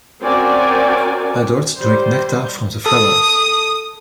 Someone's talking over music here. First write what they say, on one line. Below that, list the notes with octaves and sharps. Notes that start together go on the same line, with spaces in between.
Adults drink nectar from the flowers.
C4 C#4 F#4 A#4 D5 G#5
G3 C5
A4 D#6